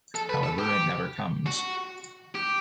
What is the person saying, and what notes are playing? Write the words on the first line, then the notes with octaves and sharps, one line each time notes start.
However, it never comes.
A4
B4
A4
G4
F#4
G4